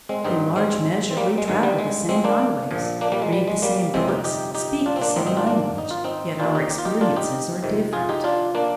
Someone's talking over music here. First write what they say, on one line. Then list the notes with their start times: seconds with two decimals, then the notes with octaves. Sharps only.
In large measure we travel the same highways, read the same books, speak the same language, yet our experiences are different.
0.09 G#3 C4
0.24 G#1 G2 D#3 C4 D#4
0.56 G#3 C4
1.11 C4
1.17 G3 A#3
1.38 G#3
1.48 G1 G2 D#3 G#3
1.63 G3
1.79 G#3
2.09 G#3 C4
2.24 A#3 D4
2.71 A#1 A#2 F3
3.01 A#3 D4
3.12 G3 A#3
3.22 G#3
3.33 G3
3.48 G#3
3.62 G3 A#3
3.94 G1 F2 C3 G#3 C4
4.08 D#4 G4
4.24 D#4 G4
4.55 D#4 G4
4.86 D4 F4
4.96 C4
5.01 A#3 D4
5.16 G#1 G#2 D#3 C4 D#4
5.26 C4 D#4
5.37 D4 F4
5.47 A#3 D4
5.78 D#4
5.91 F4
6.04 C4 D#4
6.40 D#2 D#3 D4 F4
6.55 D#4 G4
6.71 G4
6.78 F4
6.85 D#4 G4
7.01 D4 F4
7.16 D#4 G4
7.63 F2 C3 D#3
7.93 F4 G#4
8.09 D#4 G4
8.24 D4 F4
8.55 A#3 D4